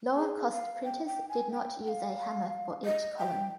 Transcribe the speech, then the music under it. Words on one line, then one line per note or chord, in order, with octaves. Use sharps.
Lower-cost printers did not use a hammer for each column.
G#4
F5
G5
G5
G#5
G5
G5
F5
D#5
G5